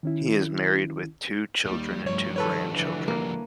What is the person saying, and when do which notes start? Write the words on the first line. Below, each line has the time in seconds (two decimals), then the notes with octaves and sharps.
He is married with two children and two grandchildren.
0.03 D#3 C#4 E4
1.66 D#2 G3
2.06 G2 F3 G3 A3 C#5
2.36 D#3 A4 B4 C#5
2.71 D3 E3
3.08 A#3